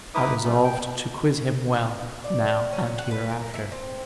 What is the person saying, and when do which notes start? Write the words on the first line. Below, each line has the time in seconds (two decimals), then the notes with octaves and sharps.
I resolved to quiz him well, now and hereafter.
0.14 D#4 E4 B4 E5 D6 D#6
0.44 F#2 G3 A3
0.64 G5
2.24 D5
2.73 C#4
2.99 F#5
3.11 B4
3.30 A#4
3.54 E4
3.72 C4